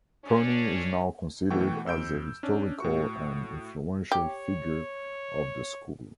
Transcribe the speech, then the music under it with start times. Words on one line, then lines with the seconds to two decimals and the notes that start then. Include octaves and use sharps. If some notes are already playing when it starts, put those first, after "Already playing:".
Prony is now considered as a historical and influential figure of the school.
0.25 C#4 D4
1.50 B2 E3 A3 F#5 G5 C#6
1.86 F2 E6 G6 D7
2.43 C#4 D4
2.80 A2 F#4 C#6
4.12 G4 C#5